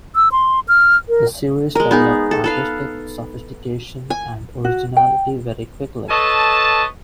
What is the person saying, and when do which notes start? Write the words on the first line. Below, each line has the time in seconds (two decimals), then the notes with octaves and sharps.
The series developed artistic sophistication and originality very quickly.
0.15 E6
0.32 C6
0.68 F6
1.09 A#4
1.75 G#3 A#4
1.91 B3 D#4 G#4
2.31 A4
2.44 A4 B4 F5
4.10 G#5
4.65 F#4
4.97 G5
6.09 A4 B4 C#5 D#5 A5